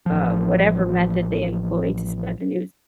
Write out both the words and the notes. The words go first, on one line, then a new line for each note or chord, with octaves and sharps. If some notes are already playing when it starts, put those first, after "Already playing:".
uh, whatever method they employ to spread the news.
A1 F3